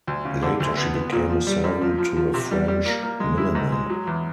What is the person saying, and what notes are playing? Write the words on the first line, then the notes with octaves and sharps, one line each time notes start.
Later she became a servant to a French milliner.
D2
C#3
D3
D2
B3
B3
A#2
F3
G3
F#2
F3
F3
F3
C3
G3
G3
A#3
A#3
G#3
E4
G#2
G#3
F#3
E2